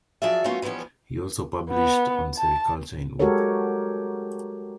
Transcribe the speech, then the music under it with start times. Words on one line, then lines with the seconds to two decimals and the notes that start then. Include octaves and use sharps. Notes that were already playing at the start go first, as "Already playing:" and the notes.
He also published on sericulture in Oudh.
0.22 F3 F#3 G#4 D5 E5
0.44 F#3 A3 B3 C#4 F4 A#4
0.62 E3 F3 G3 B3 C#4
1.70 B3
2.37 A5
3.19 G#3 F#4 G4 A4 A#4 C#5